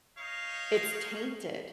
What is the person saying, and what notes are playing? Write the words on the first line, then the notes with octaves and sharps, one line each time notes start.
it's tainted
D#4 C#5 F5